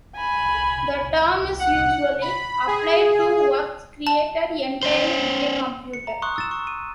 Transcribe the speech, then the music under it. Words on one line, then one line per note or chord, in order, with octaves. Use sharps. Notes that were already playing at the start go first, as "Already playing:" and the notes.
The term is usually applied to works created entirely with a computer.
G#5 B5
F#5
B5
G#4
A5
C#4 C5
C#7
A#5
C6 C#6 D#6 F#6
E6 A6 E7
C#6
D#7